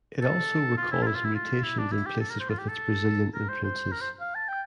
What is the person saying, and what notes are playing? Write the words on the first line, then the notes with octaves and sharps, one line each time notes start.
It also recalls "Mutations" in places with its Brazilian influences.
A4
F4
E4
F4
E4
F4
E4
F4
E4
D4
E4
G4
A4
A#4
C5
F4
G4
A4
A#4
C5
C5
A#4
C5
F5
A5
G5